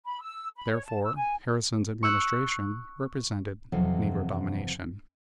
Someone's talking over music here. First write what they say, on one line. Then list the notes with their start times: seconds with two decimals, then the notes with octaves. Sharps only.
Therefore, Harrison's administration represented "Negro Domination."
0.05 B5
0.21 E6
0.56 B5
0.70 C#5
0.85 A5
1.04 E6
1.16 G#5
2.03 C#6 E6 F#6
3.72 F2 C3 E3 F#3